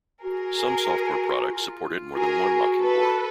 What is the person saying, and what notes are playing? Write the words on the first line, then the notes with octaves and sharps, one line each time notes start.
Some software products supported more than one Mockingboard.
F#4 G#4 A#4
F4
F#4 G#4 A#4
A4 B4